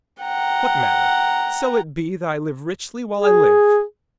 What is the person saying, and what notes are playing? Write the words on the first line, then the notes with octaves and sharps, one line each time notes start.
'What matter, so it be that I live richly while I live!'
F#5 G5 A#5
G#4